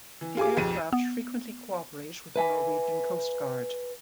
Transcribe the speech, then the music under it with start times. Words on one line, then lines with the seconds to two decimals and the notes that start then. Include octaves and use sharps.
The aircraft frequently cooperate with the Norwegian Coast Guard.
0.21 E3
0.37 F4 G4 G#4 G#5 D6
0.57 B1 F2 D#7
0.93 B3
2.36 B4 E5 G#5